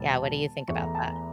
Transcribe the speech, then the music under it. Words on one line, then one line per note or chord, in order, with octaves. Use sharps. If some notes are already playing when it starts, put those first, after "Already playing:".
Yeah, what do you think about that?
Already playing: E1 A5
E2 E3 A3 C#6
A#5
A5
A#5